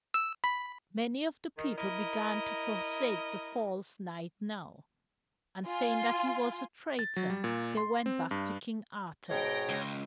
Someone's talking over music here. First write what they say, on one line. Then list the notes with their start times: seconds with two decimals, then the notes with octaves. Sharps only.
Many of the people began to forsake the false knight now, and saying that he was a traitor, they went back to King Arthur.
0.14 E6
0.44 B5
1.57 D#3
1.78 E4 A#4 D#5
5.66 F4 G#5 C6
6.99 A6
7.16 F#3
7.30 G3
7.44 A#2
7.77 C6
8.06 C4
8.31 G2
9.30 G#2 B2 C#5 G5 A#6
9.69 C#2